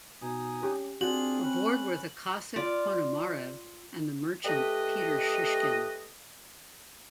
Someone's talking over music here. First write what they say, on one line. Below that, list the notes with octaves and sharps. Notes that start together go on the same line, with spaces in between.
Aboard were the Cossack Ponomarev and the merchant Peter Shishkin.
B2 D#4 G#5 D#6
C#4 G4
C4 D4 F4 F#4 G#4 F#7
C#4 B4
F4 D5
A3 G4 B4 D#5